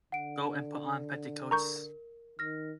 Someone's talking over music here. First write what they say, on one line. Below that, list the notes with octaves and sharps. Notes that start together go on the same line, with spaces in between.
Go and put on petticoats.
D3 F#5 D7
A#4 A#5 C#6 G6
D#3 F6 A#6